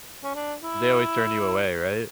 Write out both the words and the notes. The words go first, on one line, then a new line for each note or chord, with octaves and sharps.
They always turn you away, right?
C#4
D4
E4